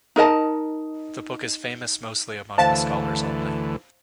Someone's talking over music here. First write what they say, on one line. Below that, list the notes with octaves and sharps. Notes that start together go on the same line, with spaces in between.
The book is famous mostly among the scholars only.
D#4 A#4 D#5 A5
D2 E3 C5 F5 A5